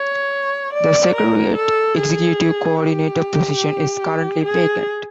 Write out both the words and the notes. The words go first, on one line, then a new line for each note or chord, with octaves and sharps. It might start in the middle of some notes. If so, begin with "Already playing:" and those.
The Secretariat's Executive Coordinator position is currently vacant.
Already playing: C#5
D5
A#4
A4
G#4
G4
G#4